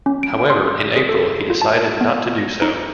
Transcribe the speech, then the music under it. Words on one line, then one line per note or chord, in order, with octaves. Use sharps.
However, in April he decided not to do so.
C#4
D7
C6
G#4
A4
F4
A5
B3
A#6
D#4